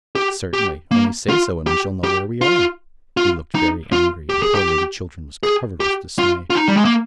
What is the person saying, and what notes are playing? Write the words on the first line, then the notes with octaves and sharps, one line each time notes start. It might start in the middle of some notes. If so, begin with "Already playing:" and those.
"Certainly;--only say so, and we shall know where we are." He looked very angry, and poor Lady Chiltern was covered with dismay.
G4
G4
A#3
F4
G4
G4
F4
F4
D#4
F4
G4
G#4
G4
G#4
G4
F4
F4
D#4
G3
G#3
A#3